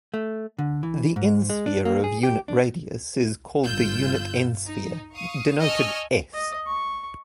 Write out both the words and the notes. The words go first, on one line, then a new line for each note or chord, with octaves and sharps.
The "n"-sphere of unit radius is called the unit "n"-sphere, denoted "S".
A3
D3
E3
G#2
G#3
D4
A#3
G#4
G4
D4
G1 F4 E6 G6
D#4
F5 C#6 D#6
D#5 G#5 A5 C#6 E6 F6
D#5
C#6